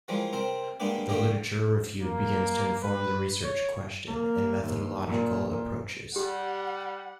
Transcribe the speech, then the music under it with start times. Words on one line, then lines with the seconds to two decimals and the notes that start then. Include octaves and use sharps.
The literature review begins to inform the research question, and methodological approaches.
0.08 E3 F3 G3 G#3 A#4
0.33 C3 C4 A#4 C5
0.80 G2 G#3 A#3 B3 D4 G4
1.09 D3 A3 A#3 D4 G4 A#4
2.03 A#3
2.82 B4
3.44 C#5
4.07 A#3
4.62 D#2
5.06 A#2
5.48 A#2
6.16 G3 G4 F#5